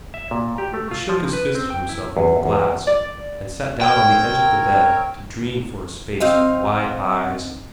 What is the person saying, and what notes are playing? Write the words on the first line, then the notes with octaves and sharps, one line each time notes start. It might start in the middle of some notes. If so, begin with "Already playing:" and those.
He shook his fist at himself in the glass, and sat down on the edge of the bed to dream for a space with wide eyes.
E5
A#2
G4
A3
F4
F3
B4
C4
G5
E4
E2
E2
D5
C4 A#4 C#5 G5
C4 D#4 F5